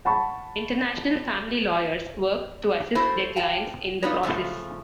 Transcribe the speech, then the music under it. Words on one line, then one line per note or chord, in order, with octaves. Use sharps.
International family lawyers work to assist their clients in that process.
F#5 A5 B5 C#6
A3 E4 F#4 C5
F5 G5 A5
B3 D4 D#4 F4
A2 C#3 F3 A3